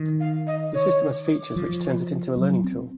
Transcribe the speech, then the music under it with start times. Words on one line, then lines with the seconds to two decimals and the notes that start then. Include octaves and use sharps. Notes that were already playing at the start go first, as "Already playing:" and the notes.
The system has features which turns it to a learning tool.
Already playing: D#3
0.20 F5
0.47 D#5
0.74 C#5
1.56 F3
2.37 F#3
2.64 C4